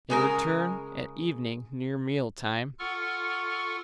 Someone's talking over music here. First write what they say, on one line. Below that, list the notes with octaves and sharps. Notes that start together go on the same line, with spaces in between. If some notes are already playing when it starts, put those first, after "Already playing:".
They return at evening near meal time.
C#3 G#3 A#4
F4 A4 F#5 C#6 F6